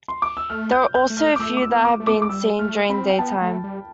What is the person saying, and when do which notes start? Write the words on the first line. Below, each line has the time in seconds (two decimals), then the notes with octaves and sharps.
There are also a few that have been seen during daytime.
0.08 C6
0.22 D6
0.37 E6
0.50 A3 F6
0.72 G6
0.95 G6
1.10 A3
1.17 F6
1.36 D6
1.39 A3 E6
1.57 D6
1.62 E6
1.69 B3
1.85 D6
2.00 A3
2.07 B3 D6
2.15 A3
2.22 D6
2.29 G3 E6
2.59 A3 F6
2.89 C4 B5
3.10 G5
3.19 B3 A5
3.42 A3
3.64 G3